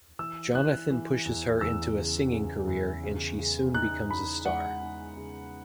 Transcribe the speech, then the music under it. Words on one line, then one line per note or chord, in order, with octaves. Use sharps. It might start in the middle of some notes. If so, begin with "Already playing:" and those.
Jonathan pushes her into a singing career, and she soon becomes a star.
E3 E6
E3 F#6
E3
E2
E2 E6
C#3
C#3
E2
C#3
C#3
D#4 F#6
D#4 B5
G#3 F#5
D#4
C#3